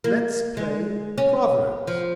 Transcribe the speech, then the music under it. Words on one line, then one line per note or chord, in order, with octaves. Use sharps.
"Let's play proverbs."
A#3
G#3
C#4
F3